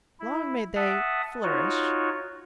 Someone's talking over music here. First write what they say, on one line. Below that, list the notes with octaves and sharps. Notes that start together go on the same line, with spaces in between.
Long may they, flourish.
E4
E5 F#5 A5 D#6
D#4 F4 F#4 C#5